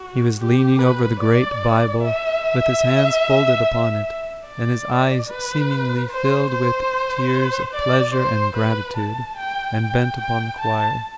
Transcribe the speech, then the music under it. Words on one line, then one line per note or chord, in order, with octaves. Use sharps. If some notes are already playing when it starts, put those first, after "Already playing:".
He was leaning over the great Bible, with his hands folded upon it, and his eyes seemingly filled with tears of pleasure and gratitude, and bent upon the choir.
Already playing: F#4
G4
B4
D5
E5
D5
B4
C5
C5
D5
C5
B4
A5
G5
G5
G5
A5